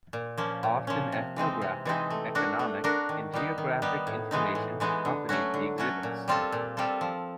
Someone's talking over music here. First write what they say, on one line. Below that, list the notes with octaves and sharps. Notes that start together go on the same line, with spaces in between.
Often ethnographic, economic, and geographic information accompanied the exhibits.
A#2
F3 A#3 C#4
A#2
F3 A#3 C#4
C3
E3 G#3 C4 D#4
C3
E3 G#3 C4 D#4
A3
D4 F#4 A#4
A3
D4 F#4 A#4
D#3
G3 B3 D#4
D#3
G3 B3 D#4
A2
E3 G#3 B3 D#4
A2
E3 G#3 B3 D#4
D3
F#3 A3 C#4 F#4
D3
F#3 A3 C#4 F#4
A#2
G3 C4 F4 A4
A#2
G3 C4 F4 A4
F3